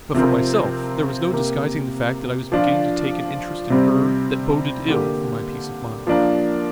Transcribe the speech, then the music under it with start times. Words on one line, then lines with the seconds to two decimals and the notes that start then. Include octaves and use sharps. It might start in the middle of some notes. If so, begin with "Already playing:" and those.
But for myself, there was no disguising the fact that I was beginning to take an interest in her that boded ill for my peace of mind.
0.14 C3 F3 C4 A#4
1.33 C3 A#3 G4 A#4
2.52 F3 D4 F4
3.70 C3 G3 C4
4.88 D3 A#3 G4
6.07 F3 A#3 D4 A#4